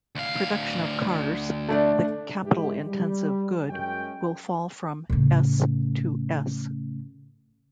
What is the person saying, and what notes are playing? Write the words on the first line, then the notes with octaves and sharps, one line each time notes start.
Production of cars, the capital-intensive good, will fall from "S" to "S".
D2 F5
A3 D4 D5
G#2 E3 F#3 G#3 E4 G4
G3
F#2 G#3 C#4 G5
A2 C#3